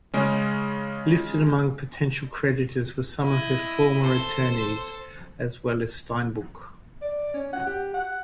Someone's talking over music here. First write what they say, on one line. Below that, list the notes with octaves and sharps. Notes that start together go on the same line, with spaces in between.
Listed among potential creditors were some of her former attorneys, as well as Steinbuch.
C#3 G#3 C#4
E4 D#5
A4 C5
D5
C#4
F#5
G4
F#5